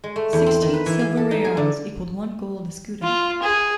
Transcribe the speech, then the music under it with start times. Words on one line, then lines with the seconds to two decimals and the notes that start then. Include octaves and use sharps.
Sixteen silver reales equalled one gold escudo.
0.04 G#3
0.16 A3
0.33 E2
0.46 C4
0.62 D#3
0.74 B4
0.86 E3
0.99 G#4
1.17 A4
1.31 D#4
1.44 G#4
1.57 D3
3.03 F4
3.42 G#4